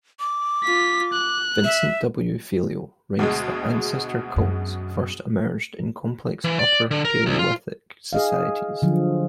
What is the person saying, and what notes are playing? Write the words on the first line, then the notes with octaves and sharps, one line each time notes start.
Vincent W. Fallio writes that ancestor cults first emerged in complex Upper Paleolithic societies.
D6
F4 B6
F#6
E5
D2 B2 G#3
F#2
E3
D5
D3
A#4
C2
F4
G#4 D#5 F5
D3 F3 F#3